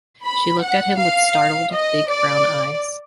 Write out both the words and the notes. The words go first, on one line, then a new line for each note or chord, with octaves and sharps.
She looked at him with startled, big brown eyes.
B5
F#5
F5
D#5
D5